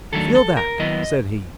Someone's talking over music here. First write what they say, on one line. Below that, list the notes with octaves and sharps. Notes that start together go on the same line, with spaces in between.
"Feel that!" said he.
D#2 D#3 F#3 A3 D4 A4
A4
A#4
D#2 D#3 F#3 B3 E4 D#5